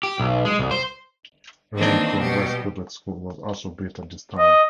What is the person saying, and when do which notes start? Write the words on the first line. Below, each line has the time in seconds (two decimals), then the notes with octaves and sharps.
Lane Cove West Public School was also built at this time.
0.03 G4
0.19 B1
0.45 G#3
0.59 C2
0.71 C5
1.74 D#3 E3 A#3 C4 D4 D#4
2.17 B2 G3 G4
4.38 D#5